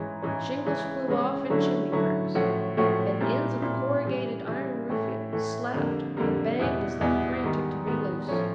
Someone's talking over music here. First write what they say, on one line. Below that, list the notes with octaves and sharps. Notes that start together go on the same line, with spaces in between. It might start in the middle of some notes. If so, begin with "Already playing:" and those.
Shingles flew off and chimney bricks, and ends of corrugated iron roofing slapped and banged as though frantic to be loose.
Already playing: G#2 E3 G#3 C#4
G#2 E3 G#3 C#4
C#3 E3 G#3 C#4
C#3 E3 G#3 C#4
D3 F#3 A3 C#4 E4
D3 F#3 A3 C#4 E4
A2 F3 A3 C#4 F#4
A2 F3 A3 C#4 F#4
A#2 G3 C4 E4
A#2 G3 C4 E4
C#3 E3 G3
C#3 E3 G3
A2 E3 A3
A2 E3 A3
F2 D3 G3 A#3
F2 D3 G3 A#3
E2 B2 G3 B3 E4
E2 B2 G3 B3 E4
G#2 D#3 G3 B3
G#2 D#3 G3 B3
A2 F3 A3 C#4